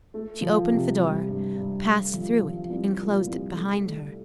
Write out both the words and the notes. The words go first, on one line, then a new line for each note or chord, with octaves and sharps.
She opened the door, passed through it, and closed it behind her.
A3
F3
C3
G3
G2
G2
A3
F3
F3
C2
A#2
C2
A3
A3